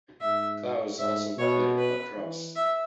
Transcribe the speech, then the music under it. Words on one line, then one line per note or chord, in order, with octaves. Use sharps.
Clause also played lacrosse.
G#2 E5
G#2 E5
B2 C#5
B4
E3
E5